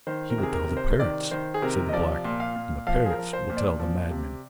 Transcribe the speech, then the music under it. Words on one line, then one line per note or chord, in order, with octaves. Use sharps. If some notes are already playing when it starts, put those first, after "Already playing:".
"He will tell the parrots," said the black, "and the parrots will tell the madmen."
D#3 C5
A#4
C3
G#4
A#4
C3
C5
D#3 D5
D#3 C5
G#4
C3 A#4
D#5
F3 D5
A#2
F5
A#2
F3 F5
G#4
A#4
F3
C5
A#2
D5
F3
C3